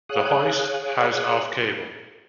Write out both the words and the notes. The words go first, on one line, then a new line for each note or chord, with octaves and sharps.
The hoist has of cable.
G#4 C#5 F5 D#6 F#6